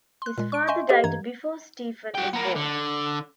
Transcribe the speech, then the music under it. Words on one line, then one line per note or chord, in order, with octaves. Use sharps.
His father died before Stephen was born.
C6 F#6
A#2 G#3
C#6 D7
D#5 E5 G#5 C6 C#6 G6
G4 A4 B4 D#5 F5
G2 E3 A#5 G#6
F#4 G5
B3 A#4
D3